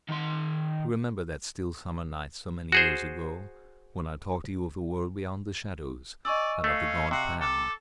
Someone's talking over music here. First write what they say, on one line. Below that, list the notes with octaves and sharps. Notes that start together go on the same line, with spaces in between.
You remember that still summer night so many years ago, when I talked to you of the world beyond the shadows, and of the god Pan.
D#3 C6
F#4 G#4 C5
D5 D#5 G#5 C#6 E6
A3 C#4 F5
C3 F#4
A4 D6